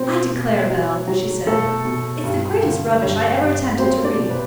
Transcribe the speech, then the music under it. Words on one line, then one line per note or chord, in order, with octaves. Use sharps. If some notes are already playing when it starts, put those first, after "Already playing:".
"I declare, Bell," she said, "it's the greatest rubbish I ever attempted to read."
Already playing: B2 C4 C5
B2
F#3
F#3
B2 A3 A4
B2
G2
D3
G2
G2
F#3 C4 C5
D4 D5
B2
B3 B4